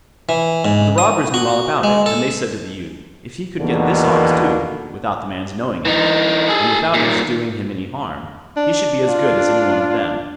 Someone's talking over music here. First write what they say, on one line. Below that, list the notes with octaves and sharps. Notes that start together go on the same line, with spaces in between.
But the robbers knew all about it, and they said to the youth, if he could get this ox too, without the man's knowing it, and without his doing him any harm, he should be as good as any one of them.
E3
G#2
D#6
F#4
G#3
A4
E2 B2 D3 D#3 A#3
E3 D#4
G#4 A4
A#2 D#3
D4
F4